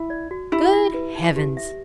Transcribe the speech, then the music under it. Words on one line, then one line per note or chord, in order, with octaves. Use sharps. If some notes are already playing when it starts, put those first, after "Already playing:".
"Good Heavens!"
Already playing: E4
D5
F#4
E4 G4
E5
B4
D#4
G4
E5